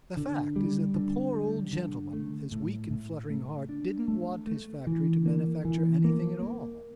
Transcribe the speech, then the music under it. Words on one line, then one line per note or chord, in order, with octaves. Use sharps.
The fact is that the poor old gentleman, with his weak and fluttering heart, didn't want his factory to manufacture anything at all.
D3
G3
D3
G3
D3
A3
A2
A2
A3
D4
A3
A3
E3
A#3
E3
A#3
A#3